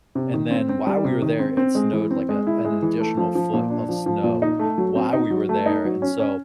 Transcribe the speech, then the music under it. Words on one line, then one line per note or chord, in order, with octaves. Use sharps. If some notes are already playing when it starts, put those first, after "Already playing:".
and then while we were there, it snowed like a an additional foot of snow while we were there and, so,
C3
D#3
C4
C4
G3
C3
D#3
C4
C4
G#3
E3
C4
G#3
E4
G#3
E3
A3
F3
F3
A#2
D4
F3
F3
A#2
D#4
A3
F#3
C4
D#4
F#3
A3
D#4
F#3
C#4
C#4